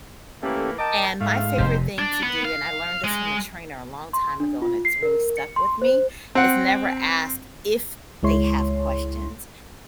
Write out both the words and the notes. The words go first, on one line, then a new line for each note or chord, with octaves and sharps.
and my favorite thing to do, and I learned this from a trainer a long time ago and it's really stuck with me, is never ask if they have questions,
E3 A3 A#3 C#4 G4 A4
A#4 D#5 G5 A5 D6
G#2 A3 F5
F1 C3 D#3 G#3 C5
D4
B3
F5
G#3
C6
D4
F4
C7
A#4
C#7
C6
C5
C4 F#5
C#2 G#3 E4 C#5 C6